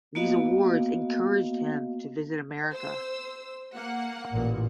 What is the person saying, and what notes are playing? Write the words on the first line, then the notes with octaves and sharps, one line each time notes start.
These awards encouraged him to visit America.
A#3 B3 F#4 D#5 F5
C5 E6
A#3 F#5
A1 A#2